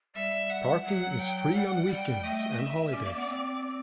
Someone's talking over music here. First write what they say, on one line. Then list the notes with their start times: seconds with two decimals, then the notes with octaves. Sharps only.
Parking is free on weekends and holidays.
0.15 G3 E5
0.50 F#5
0.84 F#3 F#5
1.19 G5
1.54 G3 F#5
1.88 G3 G5
2.24 A3 D#5
2.58 E5
2.92 C#4 D5
3.04 A#3
3.16 B3
3.27 C4